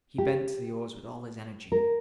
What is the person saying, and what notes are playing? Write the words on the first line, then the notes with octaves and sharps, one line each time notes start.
He bent to the oars with all his energy.
G4
A#4